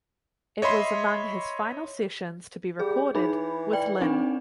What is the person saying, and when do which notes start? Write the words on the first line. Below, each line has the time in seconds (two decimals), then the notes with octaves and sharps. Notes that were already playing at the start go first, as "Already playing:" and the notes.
It was among his final sessions to be recorded with Lynn.
0.62 C#5 D#5 E5 B5 C6
2.80 G3 G#4
3.15 E3 D#4 G#4 B5
3.73 D5 G5
4.01 C4 D4 D#4